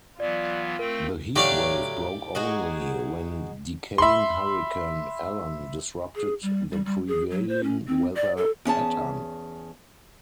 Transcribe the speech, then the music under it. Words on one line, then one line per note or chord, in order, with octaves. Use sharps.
The heat wave broke only when decaying Hurricane Allen disrupted the prevailing weather pattern.
E3 F#3 B3 F4 D5
A3 C4 A#4 G5
A2 F#3 G4 C#5 D5 F5
D#4 F#4 G#4
E5 B5 C6
G#4
G3
G3
G3
G#4
F#3
C5
C#4
C4
D5
A4
E2 C#4 G#4 A5